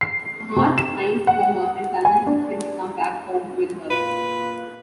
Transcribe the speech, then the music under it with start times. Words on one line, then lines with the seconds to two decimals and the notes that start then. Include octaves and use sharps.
Marge finds Homer and convinces him to come back home with her.
0.01 C7
0.56 C3
0.78 E7
1.27 F#5
2.05 G#5
2.26 D4
3.91 A#2 F4 B4